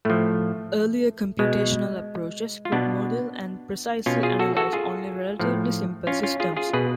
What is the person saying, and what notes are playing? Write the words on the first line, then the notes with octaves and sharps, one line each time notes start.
Earlier computational approaches could model and precisely analyze only relatively simple systems.
A2 F3 A3
B2 G#3
F4
B2 B3 D4
B2 C#4 F4
F4 G#4
F#4 A4
F#4 A4
F4 G#4
A2 F3
C#4 F4
C#4 F4
F4 G#4
F4 G#4
B2 G#4 B4